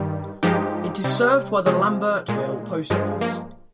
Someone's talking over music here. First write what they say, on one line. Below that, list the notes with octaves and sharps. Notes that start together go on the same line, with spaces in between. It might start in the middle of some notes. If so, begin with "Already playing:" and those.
It is served by the Lambertville Post Office.
Already playing: G2 D#3 G3
G2 F3 G#3 D#4 G4
C3 G3
C3 F3 G#3
A#2 G#3
G2 F3 G#3
A#3